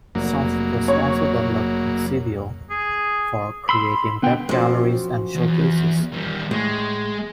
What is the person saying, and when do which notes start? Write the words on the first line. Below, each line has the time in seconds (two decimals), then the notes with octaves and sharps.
Softpress also developed Exhibeo, for creating web galleries and showcases.
0.15 F1 F#3 A#3
0.88 C#5
2.70 G#4
3.69 B5 C6 E6
4.22 D3 B3 G5
4.49 F#2 F3
5.35 E2
6.12 D#3 G3
6.51 A2 G#3